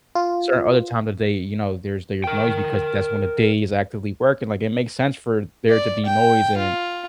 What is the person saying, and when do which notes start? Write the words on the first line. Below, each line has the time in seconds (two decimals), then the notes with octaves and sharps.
certain other times of day, you know, there's there's noise because that's when the day is actively working. Like, it makes sense for there to be noise and
0.15 F4
2.24 A#4 G5
5.70 D5
6.05 G5
6.57 F4